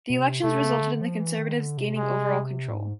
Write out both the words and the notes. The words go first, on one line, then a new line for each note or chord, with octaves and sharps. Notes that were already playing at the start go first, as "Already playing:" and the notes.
The elections resulted in the Conservatives gaining overall control.
B2
C3
C3 A3
C#3
D3
F3
E3
D#3
D3
C3
G#3
A2
G#2